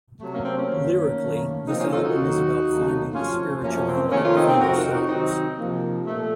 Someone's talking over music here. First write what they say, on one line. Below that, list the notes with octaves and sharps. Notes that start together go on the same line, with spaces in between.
Lyrically, this album is about finding the spirituality within ourselves.
C3 F#3 A3
A#3 C#4
C4
A#3 C#4
F#2 D#3 A3
F#2 D#3 A3
C3 F3 A#3 C4 D#4
C#4 F4
F4 A4
D#4 F#4
D#2 D#3 F#3
D#2 C#3 F#3 A3
C3 F3 A3 C#4 F4
F#2 F3 A3 A#3 C#4
C4
C3 D#3 A3 A#3 C#4
C#4 F4
C4 D#4
C4
F2 C3 F3 F#4 A#4
D#4 F#4
D#4 F#4
C3 D#3 F#3 C4 D#4
C3 F3 A#3
A#2 A3